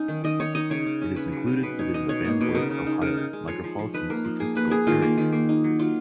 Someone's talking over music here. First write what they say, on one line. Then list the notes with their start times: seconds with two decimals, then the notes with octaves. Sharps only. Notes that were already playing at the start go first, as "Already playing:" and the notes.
It is included within the Van Wert, Ohio Micropolitan Statistical Area.
Already playing: F#3 C#4 D#4
0.08 D#3
0.24 D#3 D#5
0.40 D#4 C#5
0.55 D#4 D#5
0.70 C#3 C#5
0.86 C#3
1.01 C#4
1.16 C#4 B4
1.32 F#3
1.47 C#4
1.63 B2 B4
1.79 D#4 C#5
1.94 D#4 D#5
2.09 B2 C#5
2.25 A#3
2.41 B2
2.55 C#3 A#4
2.70 C#3
2.86 D#4
3.01 C#3 A#4
3.17 D#4
3.33 G#3
3.48 F3 C#5
3.64 F3
3.79 F3
3.94 D#4 B4
4.10 A#3 A#4
4.25 F3
4.40 A#3 G#4
4.55 A#3 B4
4.71 A#3 G#4
4.87 D#3 F4
5.02 A#3
5.18 D#3
5.32 A#3
5.49 D#4
5.64 F#3
5.79 F#3 F4